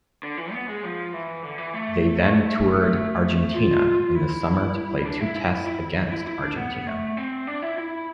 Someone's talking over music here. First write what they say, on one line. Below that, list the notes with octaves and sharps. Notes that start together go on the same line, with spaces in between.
They then toured Argentina in the summer to play two tests against Argentina.
D3
E3
B3
G#3
F3
E3
D3
E3
A3
A3
F4
E4
D4
E4
E4
E4
E4
E4
D4
B3
A3
C4
D4
E4
E4